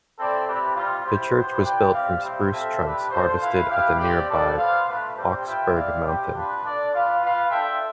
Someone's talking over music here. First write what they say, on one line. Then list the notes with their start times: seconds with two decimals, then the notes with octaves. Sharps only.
The church was built from spruce trunks harvested at the nearby Bocksberg mountain.
0.18 C4 E4 A4 D5
0.46 C4 E4 G4 B4 D5
0.75 G3 C4 F4
1.05 E4 G4 C5
1.35 B3 E4 G4 C5
1.64 E4 B4 D5 G5
1.93 C4 G4 D5 F5
2.23 G3 C4 E4 G4 C5
2.52 C4 F4 A4 E5
2.81 D4 G4 B4
3.10 D4 F4 A4 C5
3.40 E4 B4 F5
3.69 E4 G4 B4 F5
3.98 C4 G4 D5
4.27 G3 D4 A4 D5
4.57 B3 F4 C5 F5
4.86 A3 D4 F4 B4
5.16 G3 C4 G4 C5
5.45 F4 B4 E5 G5
5.75 E4 G4 B4 D5 F5
6.04 G3 C4 G4
6.33 D4 F4 B4
6.62 D4 A4 D5
6.92 F4 B4 F5
7.22 F4 B4 F5
7.50 D4 F4 A4 E5 G5